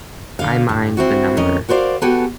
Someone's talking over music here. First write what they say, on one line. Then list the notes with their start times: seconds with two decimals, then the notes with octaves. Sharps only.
I mind the number.
0.39 D3 F5
0.69 G2
0.97 C4 E4 F#4
1.37 F2 C#4 A#4 D#5
1.69 F#4 A#4 C5 D5 F5
2.02 B3 F#4 G4 A4 G5 G#5